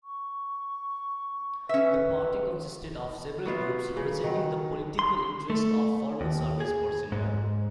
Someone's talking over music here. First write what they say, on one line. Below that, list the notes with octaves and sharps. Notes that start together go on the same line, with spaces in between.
The Party consisted of several groups representing the political interests of former service personnel.
C#6
C#4 B4 E5
F#3 B3 F4 E5
C#3
D#3 F#3
C6
A3
D#2
G#4
G#2